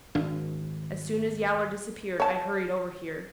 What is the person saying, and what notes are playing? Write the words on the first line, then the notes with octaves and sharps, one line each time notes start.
As soon as Yowler disappeared I hurried over here.
G#1 D4
C#5 A5